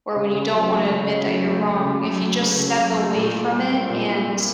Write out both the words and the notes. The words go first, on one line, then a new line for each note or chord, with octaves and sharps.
or when you don't wanna admit that you're wrong, if you just step away from it and
C#3
C#3
F#3
A3
C#3
C#3
F#3
A3
C#3
C#3
F#3
A3
C#3
C#3
F#3
A3
A#2
E4
G3
C4
A#2
E4
G3